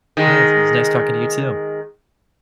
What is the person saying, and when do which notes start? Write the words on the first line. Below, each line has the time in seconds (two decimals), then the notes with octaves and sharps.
Yes, it was nice talking to you too.
0.17 D#3 G#3